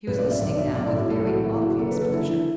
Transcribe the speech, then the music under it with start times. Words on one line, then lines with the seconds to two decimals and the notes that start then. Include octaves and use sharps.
He was listening now with very obvious pleasure.
0.07 B1 B4
0.19 D5
0.24 B2
0.31 E5
0.41 B1 D5
0.58 B2 E5
0.75 A2 D5
0.87 E4
0.93 B1
0.99 F#4
1.10 A2 A4
1.27 E3 F#4
1.44 F#1 E4
1.62 F#1 F#4
1.79 F#1 A4
1.91 B4
1.96 D3 A4
2.13 E3 E4
2.30 E3